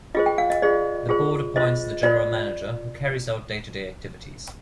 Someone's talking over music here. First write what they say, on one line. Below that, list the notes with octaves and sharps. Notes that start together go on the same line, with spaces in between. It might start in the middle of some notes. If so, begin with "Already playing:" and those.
The board appoints the general manager, who carries out day-to-day activities.
F4 G#4 C5 D#5
G5
F5
D#5
F4 G#4 C5 D5
F4 G#4 C5
F4 C5 D#5
F4 C5 D5